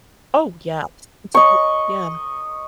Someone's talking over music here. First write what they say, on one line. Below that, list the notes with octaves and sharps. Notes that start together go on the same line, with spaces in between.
Oh, yeah. S It's okay. Yeah.
D#5 C#6